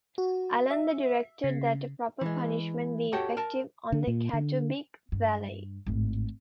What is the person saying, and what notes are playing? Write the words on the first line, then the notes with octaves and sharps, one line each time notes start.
Allen the directed that a proper punishment be effected on the Catubig Valley.
F#4
E5
C#3
E3 G#3
F#4 G4 A4 C#5 F#5 G5
A#4 A5
D3
A#2
D3
G2
G#1 A2